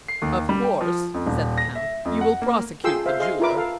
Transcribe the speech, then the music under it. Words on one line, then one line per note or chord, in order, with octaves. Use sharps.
"Of course," said the Count, "you will prosecute the jeweler."
C7
D#2
G3
G5
F3
F2
D#1
A#6
E5
F2
F#5
A#3
F4 G#4 A4 G5 C6 E6
C5 E5 F5
G#4 D#5 F5 C6
E4 F4 A#4 B4 D6
A4 F5